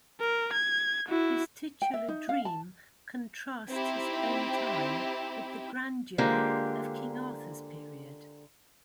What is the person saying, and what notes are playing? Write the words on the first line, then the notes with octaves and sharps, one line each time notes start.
His titular dream contrasts his own time with the grandeur of King Arthur's period.
A#4
G#6
E4 F#4
G5
E5
D#4
F5
A5
C4 D#4 E4 G4 G5
D3 G#3 A#3 F4 G4 C5